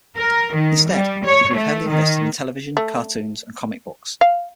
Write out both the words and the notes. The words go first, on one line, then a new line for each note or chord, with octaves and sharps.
Instead, he grew heavily invested in television, cartoons, and comic books.
A#4
D#3
G3
C#5
A3
D#3
A3
F5